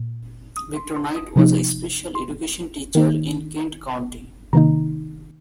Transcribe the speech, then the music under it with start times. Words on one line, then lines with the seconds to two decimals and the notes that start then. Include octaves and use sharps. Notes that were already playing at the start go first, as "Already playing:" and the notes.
Victor Knight was a special education teacher in Kent County.
Already playing: A#2
0.57 D#6
0.76 C6
0.96 C6
1.16 D#6
1.36 C3 F3 A#3 D#4
2.15 C6
2.95 D#3 A#3 D#4
4.53 C3 D#3 A#3 D#4 A#5